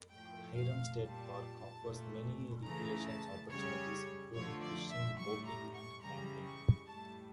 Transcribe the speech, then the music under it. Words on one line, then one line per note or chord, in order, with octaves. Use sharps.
Hyrum State Park offers many recreation opportunities including fishing, boating, and camping.
A2 F3 A3 G5
F5
A#2 G3 A5
A#2 A3
C#3 E3 A3 A#5
A5
C#3 G3 C#5
D3 F3 A3 C#5
D5
E5
A2 G3 C#6
A#5
C#6
C#3 E3 G3 A#5
C#6
A2 G3 A5